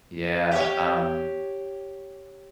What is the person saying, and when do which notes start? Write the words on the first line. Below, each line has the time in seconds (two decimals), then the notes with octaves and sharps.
Yeah, um
0.51 G4 C#5